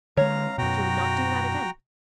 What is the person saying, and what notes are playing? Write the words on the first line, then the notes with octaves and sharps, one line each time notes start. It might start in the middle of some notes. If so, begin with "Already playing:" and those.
She would not do that again.
D3 G#3 C#5 F5 A#5
F#2 B2 F#4 G5 A#5